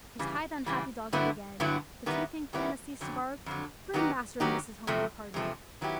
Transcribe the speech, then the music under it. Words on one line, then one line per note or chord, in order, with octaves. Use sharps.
She tied the unhappy dog up again, but do you think Nana ceased to bark? Bring master and missus home from the party!
C#3 E3 G3
C#3 E3 G3
G2 D3 F#3 B3 E4
G2 D3 F#3 B3 E4
D#3 G3 B3 E4
D#3 G3 B3 E4
F2 D3 F#3
F2 D3 F#3
D#3 F#3 B3 D#4 G4
D#3 F#3 B3 D#4 G4
E2 C3 F3 A3
E2 C3 F3 A3
D#3 F#3 B3 E4 G4